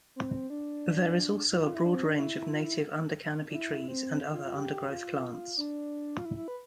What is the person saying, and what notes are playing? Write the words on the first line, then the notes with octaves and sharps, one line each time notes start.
There is also a broad range of native undercanopy trees and other undergrowth plants.
C4
D4
E4
F4
E4
D4
C4
D4
E4
F4
E4
D4
E4
C4
F4
F4
G4
F4
D4
F4
E4
E4
B4